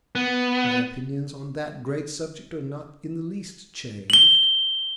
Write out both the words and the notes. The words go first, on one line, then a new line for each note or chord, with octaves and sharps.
My opinions on that great subject are not in the least changed.
B3
F#7 G7